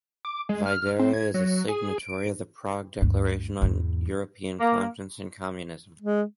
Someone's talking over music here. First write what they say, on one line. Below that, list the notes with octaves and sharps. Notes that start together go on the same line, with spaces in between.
Vaidere is a signatory of the Prague Declaration on European Conscience and Communism.
D6
G#3
F6
C4
G#6
F#3
G#4
D7
D2 G2
E2 G#2
A#3
G#3